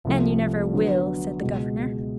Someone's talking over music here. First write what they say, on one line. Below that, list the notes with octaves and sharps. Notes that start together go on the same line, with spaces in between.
"And you never will," said the governor.
C2 C3 F3 A3
D3 F#3 B3
C#2 B2 G#3